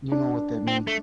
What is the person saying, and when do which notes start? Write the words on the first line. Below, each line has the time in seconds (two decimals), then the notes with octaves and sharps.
You know what that means.
0.12 D4
0.68 C4
0.87 A3